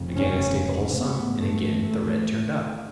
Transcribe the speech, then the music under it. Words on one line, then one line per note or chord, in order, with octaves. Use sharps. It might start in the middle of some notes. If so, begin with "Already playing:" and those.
Again I staked the whole sum, and again the red turned up.
Already playing: F1 F2 C#3
C#4
A1 G#2 B3
A3
A3